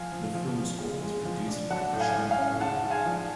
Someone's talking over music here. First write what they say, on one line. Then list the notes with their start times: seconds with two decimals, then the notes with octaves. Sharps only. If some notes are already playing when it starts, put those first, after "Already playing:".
The film score was produced by Prashant Pillai.
Already playing: F3 F5 G#5
0.12 F3
0.35 F3
0.57 F3
0.79 G#3
1.02 G#3
1.25 F3
1.48 D4
1.70 F#3 F#5 A5
1.93 A2
2.00 F5 G#5
2.15 A2
2.31 F5 G#5
2.38 C#4
2.60 G#2 F#5 A5
2.83 G#2
2.90 F5 G#5
3.06 F3